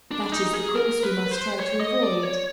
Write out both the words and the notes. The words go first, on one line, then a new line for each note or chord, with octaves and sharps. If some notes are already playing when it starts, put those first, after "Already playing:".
That is the course we must try to avoid.
D4
D#4
G#4
A#4
B4
C5
C#5
D#5
D5
C#5